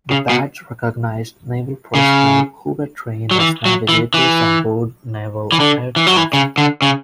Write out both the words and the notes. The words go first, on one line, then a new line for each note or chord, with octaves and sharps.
The badge recognized naval personnel who were trained as navigators on board naval aircraft.
C#3
B2
C#3
F#3
E3
F#3
E3
E3
E3
D3
E3
F#3
E3
C#3
D3
C#3